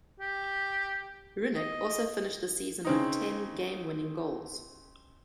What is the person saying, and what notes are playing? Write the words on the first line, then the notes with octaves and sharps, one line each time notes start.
Roenick also finished the season with ten game-winning goals.
G4
D#5
C#3 C4 D#4